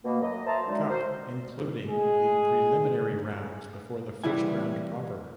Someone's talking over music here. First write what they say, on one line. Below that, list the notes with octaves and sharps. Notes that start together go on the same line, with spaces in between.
Cup, including the preliminary rounds before the First Round Proper.
B2 A#3
F#2 D#5
C5 E5 A5 A#5
F#2 D3 G#3 D#4
F#4 A#4 C5
G#3 G#4
C2 E3 G3 E4 G#5